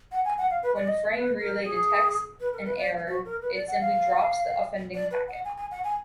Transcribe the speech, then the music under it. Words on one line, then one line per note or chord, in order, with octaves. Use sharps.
When Frame Relay detects an error, it simply drops the offending packet.
F#5
G#5
F#5
F5
B4
D5
D#5
B4
A#4
G#4
B4
A#4
B4
D5
F#4
A#4
B4
D5
F#5
F5
D5
B4
F#5
G#5
G#5
F#5
G#5